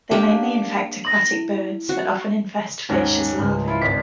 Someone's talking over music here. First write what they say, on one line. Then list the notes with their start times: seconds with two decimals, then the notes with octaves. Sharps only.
They mainly infect aquatic birds, but often infest fish as larvae.
0.11 A#3 D4 G4
1.04 A#6 F#7
1.31 E4
1.89 F#4
2.89 D#1 G#2 C#4 A#5
3.37 C#2 G#2
3.68 E4 F4
3.82 G#1 D5 B6